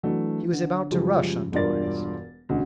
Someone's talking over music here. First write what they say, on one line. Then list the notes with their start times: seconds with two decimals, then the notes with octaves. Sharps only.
He was about to rush on Torres.
0.03 E3 F#3 A3 D4
0.52 D3
0.91 F#2 C#3 F3 G3 G#3
1.52 E1 G2 F4 A#4 D5 A6
2.49 E1 A1 D2